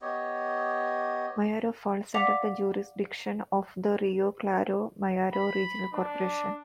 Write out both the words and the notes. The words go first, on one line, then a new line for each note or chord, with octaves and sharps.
Mayaro falls under the jurisdiction of the Rio Claro-Mayaro Regional Corporation.
B3 G4 C#5 D#5
D5 F5 F#5 D6 B6 F7
B5
D4